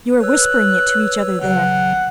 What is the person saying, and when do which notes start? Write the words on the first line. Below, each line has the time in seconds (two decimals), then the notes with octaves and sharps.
You are whispering it to each other there.
0.20 B4 C#5 E6 F#6
1.42 G#1 C#3 F#3 F#5